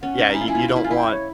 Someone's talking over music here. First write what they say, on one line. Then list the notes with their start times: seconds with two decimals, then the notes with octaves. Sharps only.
yeah, you you don't want
0.02 C#4 F#5
0.18 D#4
0.33 E4 G#5
0.41 F4
0.48 E4 G#5
0.55 F4
0.62 E4
0.69 F4
0.76 E4
0.84 F4 G#5
0.91 E4 G5
1.11 C#5